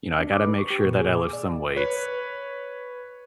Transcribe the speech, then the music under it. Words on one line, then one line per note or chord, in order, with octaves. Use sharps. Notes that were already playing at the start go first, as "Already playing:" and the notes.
You know, I gotta make sure that I lift some weights,
D4
D6
B4
C#6
G4
A#2
G#4
D6
D5
B4 C#5